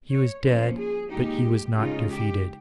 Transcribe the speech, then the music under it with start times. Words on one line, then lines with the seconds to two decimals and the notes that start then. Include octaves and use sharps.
He was dead, but he was not defeated.
0.12 C#5
0.45 F3 A#3 C#4 C5
0.78 G#4
1.10 A#2 G#3 D#4 G4
1.77 C#3 G#3 D#4 F4
2.10 G4